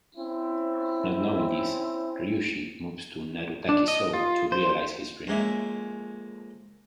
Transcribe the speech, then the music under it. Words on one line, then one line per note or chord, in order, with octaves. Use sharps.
Not knowing this, Ryushi moves to Narutaki-Sou to realize his dream.
C4 C#4 E4
D4
D#5
F4
C5
F2 G#3 A#3 C#4 E5